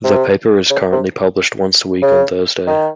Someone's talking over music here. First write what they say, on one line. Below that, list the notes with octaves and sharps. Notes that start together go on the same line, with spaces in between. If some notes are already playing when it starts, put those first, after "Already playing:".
The paper is currently published once a week on Thursday.
C3
C#3
C3
C#3
D#3